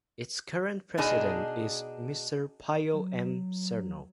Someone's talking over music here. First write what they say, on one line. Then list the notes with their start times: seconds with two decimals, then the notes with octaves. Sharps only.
Its current president is Mr. Pio M. Cernal.
0.98 B2 D4 D#4 G#4
2.94 F#3